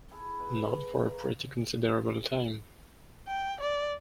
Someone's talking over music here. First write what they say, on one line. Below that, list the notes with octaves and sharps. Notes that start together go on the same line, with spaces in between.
Not for a pretty considerable time.
E4 G#4 A4 B5
B3 B4 D#5
A#4 C#5 D#5 F5
G5
D5